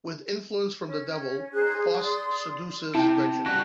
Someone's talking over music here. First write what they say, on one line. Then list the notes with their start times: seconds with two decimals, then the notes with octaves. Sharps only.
With influence from the devil, Faust seduces Gretchen.
0.84 C#4
1.53 D#4 G#4 C5 F#6
1.76 G#4
2.00 D5 C6 D#6
2.95 C3 E4 G5 A5
3.46 C#3 G3 F#4